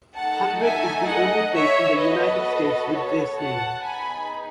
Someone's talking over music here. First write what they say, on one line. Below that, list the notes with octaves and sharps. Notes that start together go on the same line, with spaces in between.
Hundred is the only place in the United States with this name.
A3 D#4 A4 F#5 A5
E5 G#5
D#5 F#5
C#5 E5
B3 F#4 A4 B4 D#5
C#5
F#5 A5
B3 D#4 G#4 G#5 B5